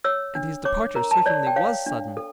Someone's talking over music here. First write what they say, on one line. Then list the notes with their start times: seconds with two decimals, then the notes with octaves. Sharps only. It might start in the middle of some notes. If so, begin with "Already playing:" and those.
And his departure certainly was sudden.
0.04 C#5 E6
0.35 D4
0.65 C#5 D6
0.95 A#4 A#5
1.11 A5
1.26 C#5 D5
1.47 G5
1.56 C#5 F5
1.86 D4
2.17 A4